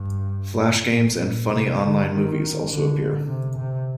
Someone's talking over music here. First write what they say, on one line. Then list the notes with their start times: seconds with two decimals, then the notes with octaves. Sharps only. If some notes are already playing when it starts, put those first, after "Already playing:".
Flash games and funny online movies also appear.
Already playing: G2
0.91 A2
1.21 A#2
1.50 C3
1.80 D3
2.09 D#3
2.68 D3
3.27 C3
3.58 C3